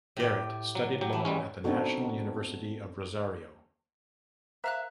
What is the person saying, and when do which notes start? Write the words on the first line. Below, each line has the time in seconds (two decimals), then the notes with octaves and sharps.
Garat studied law at the National University of Rosario.
0.17 A2 G4
0.75 F#3
1.01 F#3 G4
1.13 E3
1.25 G3 G#3 C#4
1.64 B3 C4 D4 D#4 F#4 A4
4.64 A#4 C5 E5 F5 A#5 F#6